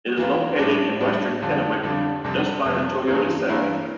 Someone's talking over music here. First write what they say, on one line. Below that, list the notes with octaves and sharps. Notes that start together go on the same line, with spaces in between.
It is located in western Kennewick, just by the Toyota Center.
E3 A#3 F4
A2 G3 D4
A2 G3 D4
F2 D3 G3 D4 F4
F2 D3 G3 D4 F4
F2 C3 G3 C4
F2 C3 G3 C4
G2 E3 A#3 E4
G2 E3 A#3 E4